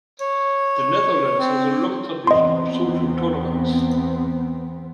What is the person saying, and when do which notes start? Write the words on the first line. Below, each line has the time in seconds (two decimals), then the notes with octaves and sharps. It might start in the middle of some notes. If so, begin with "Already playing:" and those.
The Netherlands has a long tradition of social tolerance.
0.20 C#5
1.39 C4
2.27 E2 B3 C4 D#5 C6